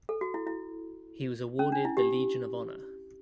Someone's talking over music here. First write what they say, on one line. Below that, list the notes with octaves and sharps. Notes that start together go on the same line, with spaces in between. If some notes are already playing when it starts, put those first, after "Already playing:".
He was awarded the Legion of Honour.
A4
F#4
E4
E4
C#4
D4
E4
G4